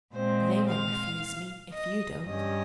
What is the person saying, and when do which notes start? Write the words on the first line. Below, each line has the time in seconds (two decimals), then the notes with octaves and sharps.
'They won't refuse me, if you don't.'
0.13 A#2 G#3 C4 C5
0.67 F5
1.72 D#5
2.25 G2 G3 C#4 D#5